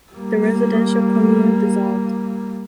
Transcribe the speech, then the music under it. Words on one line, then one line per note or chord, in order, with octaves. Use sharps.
The residential commune dissolved.
G3 A#3